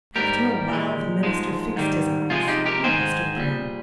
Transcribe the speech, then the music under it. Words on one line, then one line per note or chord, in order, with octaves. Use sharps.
After awhile, the minister fixed his eyes on Hester Prynne's.
G#2 G3 G4 A#4
A#2 G#3
G#2 F3 G#3
G#2 D#3 G3
C3 F3 G#3 F4 G#4
D#4 G4
G4 A#4
G#2 D#3 G#3 G#4 C5
A#2 G3